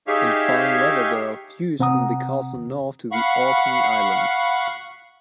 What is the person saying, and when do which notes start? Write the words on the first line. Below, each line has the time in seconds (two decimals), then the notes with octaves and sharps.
In fine weather there are views from the castle north to the Orkney Islands.
0.08 D#4 G4 G#4 C#5 E5 F5
1.79 C3 C4 F#5 A#5 D#6
3.12 F5 F#5 B5 C#6